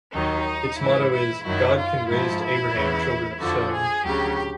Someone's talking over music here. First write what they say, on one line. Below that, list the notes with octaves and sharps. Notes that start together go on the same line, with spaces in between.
Its motto is "God Can Raise to Abraham Children of Stone".
D#2 D#3 F#3 D#4
G#2 E3 E4
E4
F#2 D#3 F#3 E4
F4
G#2 F3 E4
E4
E2 C#3 E3
F2 D3 F3 F#4
G#4
D2 C#3 F#3 G4